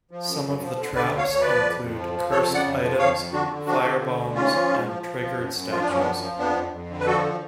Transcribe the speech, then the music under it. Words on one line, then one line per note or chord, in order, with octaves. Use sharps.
Some of the traps include cursed items, firebombs, and triggered statues.
F3
F#2
F#2
F3
D3
D3 B4 D5
D2
C#5 F5
D2 C#5
B4 D5
F3
F2
F2
F3
F3
F2 A4 C#5
C#3
D5 F#5
F2
F3
F2 C#5 F5
F2
D3 D4 F#4
D3
F3 D4 F#4
D3
D3
D2
G#2 C#4 F4
F3
G#2
F3
F3
F3
F#2
F#2
F3 F4
D4
F#2 C#4
B3 D4
F3
F3
F2 B3 D4
F2
F2
D3
B4
F3 F#4 A4